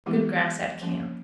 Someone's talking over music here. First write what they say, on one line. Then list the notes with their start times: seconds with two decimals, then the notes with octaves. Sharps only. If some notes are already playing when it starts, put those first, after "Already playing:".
Good grass at camp.
0.06 E3 G#3 B3 E4 G4
0.81 F3 A#3 C#4